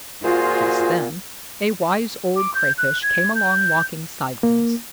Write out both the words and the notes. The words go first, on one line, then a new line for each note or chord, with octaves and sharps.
Just then a Wise Old Crayfish came along walking sidewise.
A#2 F4 F#4 G#4 C5
D6
G6
F#6
G#6
G6
A#3